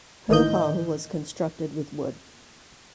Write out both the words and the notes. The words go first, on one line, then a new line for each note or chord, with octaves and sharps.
Her hull was constructed with wood.
G#1 A2 D#3 E3 D#5 G6